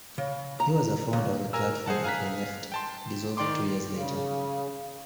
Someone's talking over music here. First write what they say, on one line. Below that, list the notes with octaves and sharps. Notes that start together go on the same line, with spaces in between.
He was a founder of the Platform of the Left, dissolved two years later.
C#3
A#5
C#2
A#4 G#5 A#5 E6
G#4 C5 F#5 A5
F5 G#5 A#5 F#6 B6
G5 A5 C6
D#3 D5 G5 C6 D6
C#3